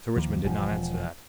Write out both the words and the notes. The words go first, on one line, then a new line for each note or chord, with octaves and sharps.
Sir Richmond did not answer that....
D#2 F3
E1 F3